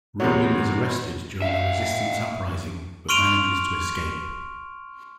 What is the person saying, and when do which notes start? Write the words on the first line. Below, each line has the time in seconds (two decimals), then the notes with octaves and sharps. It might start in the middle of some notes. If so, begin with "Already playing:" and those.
Rogan is arrested during a resistance uprising, but manages to escape.
0.20 E2 C3 F#3
1.42 E5 F5
3.09 C6 C#6 F6 D7 D#7 F7